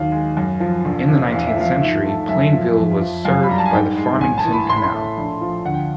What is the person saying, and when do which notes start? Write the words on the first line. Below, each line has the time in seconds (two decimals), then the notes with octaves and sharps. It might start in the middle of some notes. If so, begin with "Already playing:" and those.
In the nineteenth century, Plainville was served by the Farmington Canal.
Already playing: D#2 F#3 F5
0.12 G#3
0.37 F#2
0.60 F3
0.85 E1
1.08 C3
1.32 E2 F5
1.47 E5
1.56 F3 F5
1.80 G#2 E5
2.05 A3
2.28 F#2 E5
2.53 F3
2.77 F2
3.01 F3
3.25 F#2 F5
3.43 B5
3.49 G3 A#5
3.58 A5
3.66 G#5
3.73 G#2 G5
3.97 G#3
4.21 A1 G#5
4.38 A5
4.45 E3
4.53 B5
4.69 A2 C6
4.76 B5
4.84 C6
4.94 A3
5.18 A#1
5.41 F3
5.65 D2 F#5
5.74 G5